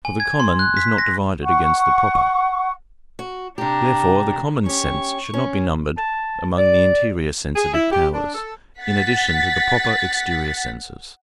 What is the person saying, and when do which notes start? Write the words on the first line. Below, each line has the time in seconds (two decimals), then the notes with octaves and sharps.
For the common is not divided against the proper. Therefore the common sense should not be numbered among the interior sensitive powers, in addition to the proper exterior senses.
0.05 G#5
0.20 G#6
0.40 C6
0.59 F#6
0.77 B6
0.98 A#6
1.43 F#5 C#6
3.19 F#4
3.58 C3 D4 G4 A#5
4.66 C#4 G4 C#6
5.34 C#4
5.98 A5
6.58 D5
7.56 G#4
7.74 E4
7.92 G4
8.14 D4
8.35 A4
8.81 F#5 A6 B6